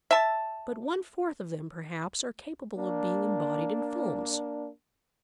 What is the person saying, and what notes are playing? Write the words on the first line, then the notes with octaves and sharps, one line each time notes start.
But one-fourth of them, perhaps, are capable of being embodied in films.
E5 A5
A#3 D4